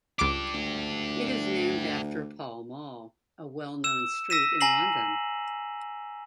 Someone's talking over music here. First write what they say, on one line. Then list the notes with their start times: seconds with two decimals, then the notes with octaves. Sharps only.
It is named after Pall Mall, a well-known street in London.
0.19 C#2 D4 G4 D6
0.54 D2
3.84 E6 E7
4.30 E6 A#6 B6 D#7 E7
4.61 G#5 A#5 A#6 C7 F#7